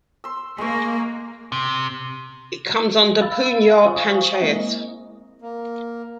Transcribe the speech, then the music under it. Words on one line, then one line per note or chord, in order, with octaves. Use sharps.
It comes under Poonjar Panchayath.
C6 E6
G#3 A#3 C#6
C3
F5 B5 E6 A6
F4 C5 F5 G#5 C#6 D#6
G#3 A#3 C4 E4 D#5
A#3